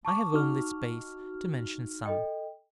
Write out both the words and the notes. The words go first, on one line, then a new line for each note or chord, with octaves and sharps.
I have only space to mention some.
A5 C#6 D6
D#4 F#4 F6
A4 D#5 G5